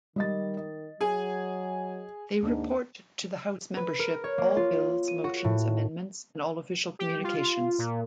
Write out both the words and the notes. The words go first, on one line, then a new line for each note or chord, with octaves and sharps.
They report to the House membership all bills, motions, amendments, and all official communications.
D#3 G3 D#5 A6
D#5
F#3 G#4 G#5
D#2 G#2 D4
B4
A#4
C#5
A#3
F4
D#7
F#4
A2
G4
F4
A#2